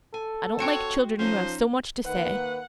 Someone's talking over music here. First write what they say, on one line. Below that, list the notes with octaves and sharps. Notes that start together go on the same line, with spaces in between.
I don't like children who have so much to say.
A4 G#5
C4 F#4 C#5 G5 C#7 E7
F3 C#4 D#4 C5
D#3 A#3 B4 F#5